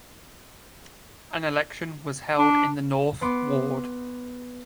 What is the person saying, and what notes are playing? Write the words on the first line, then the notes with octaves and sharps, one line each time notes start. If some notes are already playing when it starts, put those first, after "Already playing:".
An election was held in the North Ward.
D4
B3 C6 D6